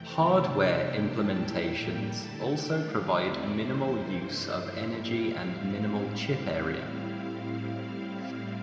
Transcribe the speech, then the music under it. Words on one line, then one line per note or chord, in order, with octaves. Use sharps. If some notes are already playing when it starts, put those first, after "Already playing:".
Hardware implementations also provide minimal use of energy and minimal chip area.
Already playing: F2 C3 E3 A3 C4 G5
C3 G3 D4 A5
C3 F3 A#3 E4 G5
A2 G3 A#3 D4 A5
A#2 A3 E4 G5
A2 G3 A#3
D3 A3 E4 A5
D3 A3 D4 G5
D3 G3 D4 F5
E2 E3 A3 C4 E4 D5
C3 E3 A3 E4 C5
G2 E3 A#3 C5
G2 F3 A3 D4 C5
G2 F3 A#3 E4 E5
A2 G3 C4 E4 F5